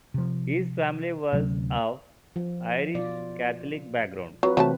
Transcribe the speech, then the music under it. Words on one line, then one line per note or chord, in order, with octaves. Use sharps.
His family was of Irish Catholic background.
C3 F3
D2 C3 F#3 C#4
F3
B2 F4 D5
F#3 C4 F4 B4
C3 E3 F#3 A3 C4 A5